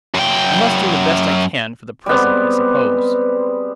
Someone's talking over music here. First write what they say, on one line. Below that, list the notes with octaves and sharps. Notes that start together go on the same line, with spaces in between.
I must do the best I can, for the present, I suppose.'
F#2 G5
G3 G#3 B3 C4